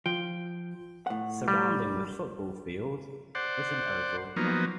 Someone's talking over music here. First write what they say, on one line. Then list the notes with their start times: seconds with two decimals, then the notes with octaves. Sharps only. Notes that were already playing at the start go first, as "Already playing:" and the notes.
Surrounding the football field is an oval track.
0.06 F3 G5
1.07 A2 F#5
1.48 G3
3.35 C5 D5 F#5
4.37 F3 F#3 A#3 B3 D#4